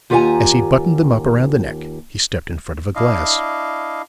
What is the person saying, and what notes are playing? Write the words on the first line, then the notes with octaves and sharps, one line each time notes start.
As he buttoned them up around the neck he stepped in front of a glass.
D#2 F4 G4 F#5 G#5 A#5
D4 E4 D#5 F5